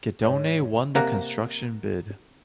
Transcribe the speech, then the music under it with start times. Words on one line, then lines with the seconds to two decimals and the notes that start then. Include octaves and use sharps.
Guidone won the construction bid.
0.23 G#2 C#5
0.95 C3 A#3 F#5 A#5